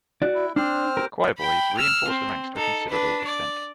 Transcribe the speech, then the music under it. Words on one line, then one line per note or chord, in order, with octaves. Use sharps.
Choirboys reinforce the ranks to a considerable extent.
F#4 D5
E4
C4 D4 C5 F6
G4 A#4
G5 B5
E6 F6
C4
D#4 A4
D4 B4
D5